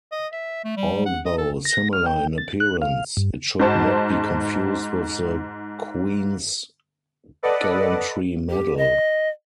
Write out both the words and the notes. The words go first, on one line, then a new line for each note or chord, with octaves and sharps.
Although similar in appearance, it should not be confused with the Queen's Gallantry Medal.
D#5
E5
A3
G3
F#5
D#5
A4
A#6
F6
G5
A6
F#6
F5
G2
G#2 F#4 C5 A5
A4 B4 D5 D#5 F#5
G4
D#5